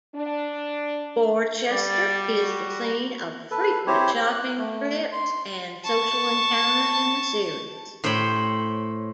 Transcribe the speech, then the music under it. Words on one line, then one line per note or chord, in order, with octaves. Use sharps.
Borchester is the scene of frequent shopping trips and social encounters in the series.
D4
G3 D5
F#4
A4 B4
C4 E4 G4 C5 C#5
F#6
A3
C6
A5 C#6
A2 C5 C#5 G5 B5